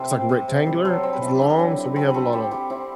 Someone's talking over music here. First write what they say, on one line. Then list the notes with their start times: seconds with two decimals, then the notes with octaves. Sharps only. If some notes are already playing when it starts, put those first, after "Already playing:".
it's like rectangular, it's long, so we have a lotta
Already playing: C3 E4 G4 A4 C5
0.10 C4
0.29 C3
0.48 C3
0.67 G3
0.85 F#3 A4 C5
1.03 C4
1.13 B4
1.22 E4 A4
1.35 G4 B4
1.40 D3
1.59 F#3
1.78 E4
1.96 C4 F#4 A4
2.10 C4 F#4 A4 B4
2.33 C4 E4 G4
2.51 C4 E4 G4
2.70 C4 E4